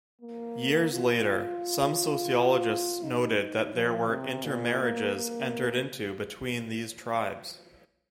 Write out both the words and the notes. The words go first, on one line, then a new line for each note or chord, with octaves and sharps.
Years later, some sociologists noted that there were inter-marriages entered into between these tribes.
A#3
F4
D#4
F3
C3
A#2
A#3
A#3